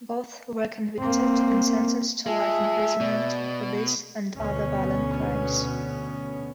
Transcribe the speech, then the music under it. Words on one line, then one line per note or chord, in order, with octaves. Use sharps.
Both were convicted and sentenced to life imprisonment for this and other violent crimes.
A#3 C4
G#3 F4 E5 G#5 A5
B2 D5
D2 B2 B3 C#4